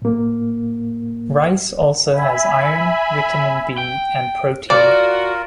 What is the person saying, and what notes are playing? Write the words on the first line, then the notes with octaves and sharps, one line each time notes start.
Rice also has iron, vitamin B and protein.
A2 A#3
E5 G#5 B5
G5
F4 F#4 A#4 D5